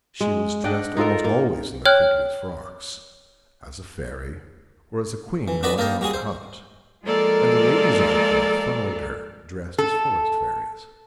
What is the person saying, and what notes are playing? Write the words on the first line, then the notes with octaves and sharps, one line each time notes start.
She was dressed almost always in the prettiest frocks, as a fairy, or as a queen going out to hunt, and the ladies of the Court followed her dressed as forest fairies.
G#3
D4 D#5 F#5 G5
D#4 F4 A4 A#4
A#3
C#5 G5 F6 F#6 F#7
E3
D4 F#4 B4 D5 D#5 B5
A#3 A4 A#4 D#5 G5
G3 F#4 G#4 D#6
C5
F3 G#3 A#3 A4 A#4 D5
A4